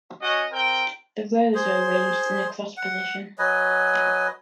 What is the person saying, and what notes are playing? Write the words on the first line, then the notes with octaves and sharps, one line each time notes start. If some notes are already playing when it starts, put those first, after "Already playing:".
The rows are arranged in a cross position.
C#4 F#4 D#5
C4 A#4 G5
G#4 C5
F#5
F#3 B4 D#5 G#5